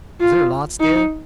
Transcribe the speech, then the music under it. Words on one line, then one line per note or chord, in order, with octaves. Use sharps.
Was there lots there?
F4
D#4